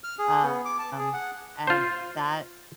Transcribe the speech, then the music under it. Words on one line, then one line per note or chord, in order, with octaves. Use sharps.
Um, and that
F6
G#4
B3
D6
A5
G#4
F#5
F4 C5